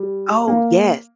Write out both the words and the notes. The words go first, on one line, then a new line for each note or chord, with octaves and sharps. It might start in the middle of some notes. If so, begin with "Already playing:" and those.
Oh, yes.
Already playing: G3
A#3